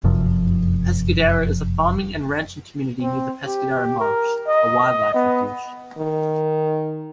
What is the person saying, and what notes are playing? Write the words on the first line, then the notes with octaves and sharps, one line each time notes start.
Pescadero is a farming and ranching community near the Pescadero Marsh, a wildlife refuge.
F1 F#2 C3 F3
C4
G4
A#4
D#5
B3
D#3